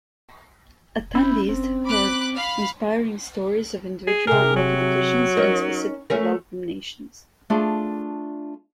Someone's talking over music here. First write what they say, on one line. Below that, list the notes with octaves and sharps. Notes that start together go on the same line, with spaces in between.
Attendees heard inspiring stories of individual mathematicians and specific developing nations.
C#4 E4 B5 G6
C4
B5 D6 F#6
F5 B5
G#4
C3 G#4 A#4
F#3
C#4 D#4 A#4
A3 C#4 A#4
A3 D4 F4 G#4 D5 A5